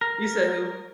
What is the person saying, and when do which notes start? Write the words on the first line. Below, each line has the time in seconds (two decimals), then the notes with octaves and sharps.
You said who?
0.01 A#4